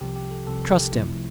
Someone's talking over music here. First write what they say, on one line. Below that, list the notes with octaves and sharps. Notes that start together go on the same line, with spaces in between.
Trust him.
C2 C3 F3 G4
G4
A4
C2 C3 F3 A4
A#4
G4
C2 C3 F3 A3 E4